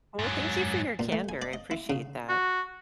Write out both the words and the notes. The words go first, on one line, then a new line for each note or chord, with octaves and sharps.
Well, thank you for your candor, appreciate that.
G#2 F#3
A#2
A3
G#5
D5
D#5
E4
C#3
F#4